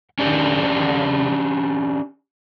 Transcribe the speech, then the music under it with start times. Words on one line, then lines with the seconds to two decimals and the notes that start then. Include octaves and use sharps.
the, um,
0.19 C#4 D4 G4